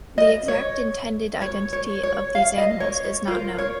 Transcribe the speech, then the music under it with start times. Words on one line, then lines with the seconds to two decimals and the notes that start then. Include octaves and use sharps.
The exact intended identity of these animals is not known.
0.18 D#5
0.48 C#5
1.42 C#5
1.73 C#5
2.03 C#5
2.35 F5
2.58 D#5
2.80 C#5
3.04 C#5
3.27 F4 A#4 C5
3.58 C#5